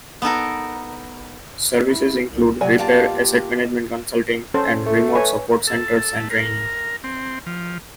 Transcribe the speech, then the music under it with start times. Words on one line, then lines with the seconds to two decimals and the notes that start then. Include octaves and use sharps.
Services include repair, asset management consulting and remote support centers and training.
0.22 B3 D#4 A4 A#4
1.88 E4
2.28 C2
2.61 C3 F#3 D5 G#5
2.78 A#3 F4 G4 A5
4.54 C#4 A4 C5
4.86 A3
5.15 B4 C#5 G#5
5.67 A4
6.16 A3
6.31 A#4
7.04 C4
7.46 F3